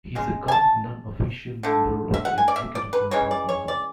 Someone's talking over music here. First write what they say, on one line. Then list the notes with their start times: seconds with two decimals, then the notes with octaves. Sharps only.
He is a current non-official member of the Executive Council of Hong Kong.
0.15 C#3 G#3
0.48 G#5
0.52 A5
1.63 D3 A3
2.14 E5
2.25 F#5
2.38 G#5
2.48 D5
2.56 E5
2.75 D5
2.93 B4
3.11 C#3 E3 G#3 C#5
3.31 D5
3.49 C#5
3.68 D5